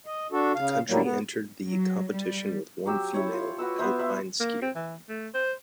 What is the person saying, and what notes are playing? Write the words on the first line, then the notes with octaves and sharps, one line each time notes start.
The country entered the competition with one female alpine skier.
D#5
D4 F#4 A4
C#3 F5
A2 F#3 G3 A#3
B3
F#3
G3
F#3 G4 E6
E4 C#5
F4
F#4 B4 E6
B3 B4 C5 E5
B4 E5
A#3
C4
E3
A3
C5